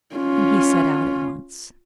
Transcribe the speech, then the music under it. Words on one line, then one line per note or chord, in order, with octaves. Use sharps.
And he set out at once.
C#4 F4